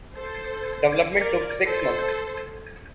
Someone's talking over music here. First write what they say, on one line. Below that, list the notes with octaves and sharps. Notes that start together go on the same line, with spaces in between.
Development took six months.
A4 C5
A#4 D5
A4 C5